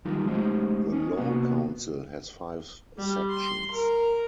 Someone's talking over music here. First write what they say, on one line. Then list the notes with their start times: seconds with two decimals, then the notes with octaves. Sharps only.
The Law Council has five Sections.
0.05 D#3 F#3 G3 D#4 F4
0.26 G#3 A3 C#4 D#4 G4 C5
0.93 C#4 D#4
1.17 C3 A#3 B3 F#4
2.98 G3
3.31 C6
3.72 A#4